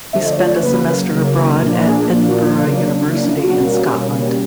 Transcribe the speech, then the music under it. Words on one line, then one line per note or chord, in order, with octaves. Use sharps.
He spent a semester abroad at Edinburgh University in Scotland.
D3 F3 A3 E5
D#5
D5
C#5
D5
C#5
C#3 F#3 A#3 B4
C#3 F#3 A#3
A#2 F3 A#3 D4 A#4
C5
G#4
G#4
A#2 F3 A#3 D4
F#4
F4
C#3 F#3 A#3 D4
C#3 F#3 A#3 D4 E4
E4
F4
F#4
B2 G3 A#3 C#4
B2 G3 A#3 C#4